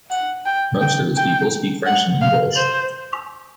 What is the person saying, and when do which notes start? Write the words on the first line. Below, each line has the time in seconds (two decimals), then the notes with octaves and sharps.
Most of its people speak French and English.
0.10 F#5
0.46 G5
0.81 G5
1.16 G5
1.86 F#5
2.22 F5
2.56 C5